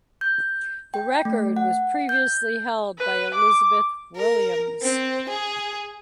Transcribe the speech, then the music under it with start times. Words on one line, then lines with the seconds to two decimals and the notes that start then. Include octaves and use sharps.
The record was previously held by Elizabeth Williams.
0.21 G6
0.94 G5
1.25 A3
1.56 F#5
2.09 G6
2.98 B4
3.34 D6
4.16 A#4
4.82 C4
5.30 G#4